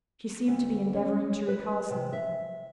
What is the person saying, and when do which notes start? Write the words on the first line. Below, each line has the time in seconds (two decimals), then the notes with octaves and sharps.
She seemed to be endeavoring to recall something.
0.48 D2
0.93 C#4
1.48 B4
1.90 C3
2.13 E5